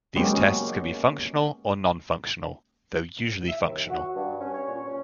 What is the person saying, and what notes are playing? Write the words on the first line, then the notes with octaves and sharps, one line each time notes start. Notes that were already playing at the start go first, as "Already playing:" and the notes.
These tests can be functional or non-functional, though usually functional.
F#3 G#3 A#3 B3 C#4 G4
E5
D#2
F#4
G2
C#4
C#5
A#2
C#4